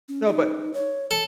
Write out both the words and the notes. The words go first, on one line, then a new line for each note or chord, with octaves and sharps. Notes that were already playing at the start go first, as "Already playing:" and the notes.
No. But
C#4
D#4
C#5
A4